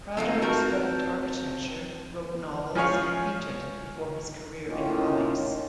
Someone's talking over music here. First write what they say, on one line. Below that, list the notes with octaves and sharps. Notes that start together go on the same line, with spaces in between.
Prado studied architecture, wrote novels and painted before his career in comics.
F#3 C4 D#4 F4 A4
F#4 A#4 B4 A5 G6
F3 C#4 G#4 C#5 F5
A2 D#3 A#3 C#4 D#4 F4